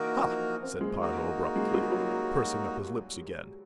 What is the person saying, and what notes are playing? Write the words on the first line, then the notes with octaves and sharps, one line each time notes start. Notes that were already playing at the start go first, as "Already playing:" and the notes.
"Ha!" said Piero, abruptly, pursing up his lips again.
Already playing: E3 A#3 D#4 F#4 A#4
F3
C4
G#3
A#3 D#4 F#4
G#3
G3
F#3